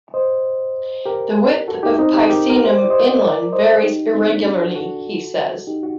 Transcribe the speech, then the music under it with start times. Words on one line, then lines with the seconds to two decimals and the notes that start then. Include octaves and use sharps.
The width of Picenum inland varies irregularly, he says.
0.14 C5 D#5
1.06 G4 A#4
1.68 F#4 A4
1.83 D#4 G4
1.98 C4 D#4
2.14 D#4 G4
2.29 G4 A#4
2.50 A#4
2.64 C5
2.78 D5
2.90 C5 D#5
3.21 A#4 D5
3.52 C5 D#5
3.76 A4
3.83 D#4 G4
4.14 C4 D#4
4.29 A#3 D4
4.45 D4 F#4
4.60 F#4 A4
4.75 F#4 A4
5.67 D#4 G4
5.83 F#4